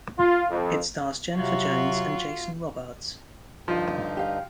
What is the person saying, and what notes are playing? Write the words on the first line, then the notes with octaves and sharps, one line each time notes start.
It stars Jennifer Jones and Jason Robards.
F4
F2
C3 F#3 F4 F#4
G2 D3 F3 D#4 F4
G4 F5